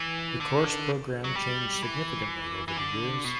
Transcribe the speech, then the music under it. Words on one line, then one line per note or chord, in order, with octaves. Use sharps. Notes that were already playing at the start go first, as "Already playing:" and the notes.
The course programme changed significantly over the years.
Already playing: E3
D3
F#3
G3
E3
E3
D3
B2